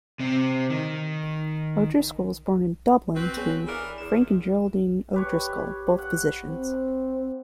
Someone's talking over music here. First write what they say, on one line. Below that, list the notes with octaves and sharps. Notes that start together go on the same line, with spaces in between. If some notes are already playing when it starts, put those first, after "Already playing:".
O'Driscoll was born in Dublin to Frank and Geraldine O'Driscoll, both physicians.
C3 C4
D#3
C4 F#4 B4
B3 G#4 C#5
E3 D4 G#4 A#4
E2 E7
G4 B4 C#5
F#5
C4